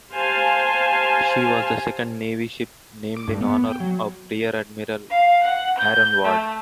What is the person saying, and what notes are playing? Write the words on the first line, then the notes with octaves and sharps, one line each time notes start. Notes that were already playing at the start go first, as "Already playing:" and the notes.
She was the second Navy ship named in honor of Rear Admiral Aaron Ward.
G4 C5 F5 G#5 A5
D6
G2
B3
G5
F#3
F5
F#5
G6
A3